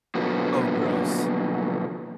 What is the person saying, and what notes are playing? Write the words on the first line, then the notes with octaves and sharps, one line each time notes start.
Oh, gross.
B2 D3 F3 F#3 A#3 B3